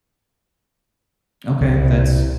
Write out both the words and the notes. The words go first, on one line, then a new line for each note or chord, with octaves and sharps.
Okay, that's
C2